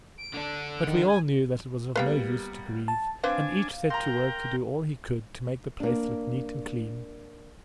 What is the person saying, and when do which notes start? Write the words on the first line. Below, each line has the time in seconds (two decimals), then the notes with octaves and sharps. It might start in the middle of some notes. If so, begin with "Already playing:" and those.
But we all knew that it was of no use to grieve, and each set to work to do all he could to make the place look neat and clean.
0.18 D7
0.34 D3 D4
0.87 D#3
1.08 G#5
1.96 G3 A#3 B3 B4 F5 G5
2.88 A5
3.24 C4 D4 B4 C5 F5 G#5 D6
3.90 A#4 G5 A#5 C6
5.80 A#3 D4